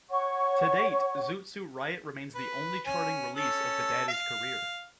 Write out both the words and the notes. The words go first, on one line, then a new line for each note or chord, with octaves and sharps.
To date, "Zoot Suit Riot" remains the only charting release of the Daddies' career.
C#5 F#5 C#6
B4
C#4 G#5
C#4 A4
F5